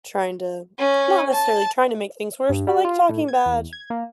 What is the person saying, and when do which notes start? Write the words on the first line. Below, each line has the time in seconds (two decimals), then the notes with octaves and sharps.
trying to not necessarily trying to make things worse, but, like, talking bad,
0.79 C#4
1.33 A5
2.49 G2
2.67 G3
2.85 F4
3.09 A2
3.28 G#6
3.46 E2
3.73 G#6
3.90 A#3